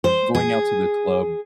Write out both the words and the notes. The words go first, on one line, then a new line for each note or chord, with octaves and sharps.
Going out to the club
C5
G#4